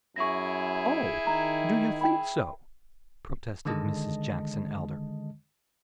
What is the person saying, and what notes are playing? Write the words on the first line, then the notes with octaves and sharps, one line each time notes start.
"Oh, do you THINK so?" protested Mrs. Jackson Elder.
F#2 E4 G#4 C#6 A#6
D#3 A#5
G5 B5
D3 D#3 G#3 D#5 A5